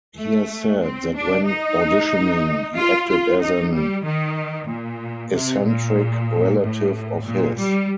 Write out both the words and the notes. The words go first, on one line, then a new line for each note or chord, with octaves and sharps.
He has said that when auditioning he acted as an eccentric relative of his.
A3
C4
D4
D#4
F4
F4
D#4
G3
D#3
A#2
C3
A#2
A2
A#2
G3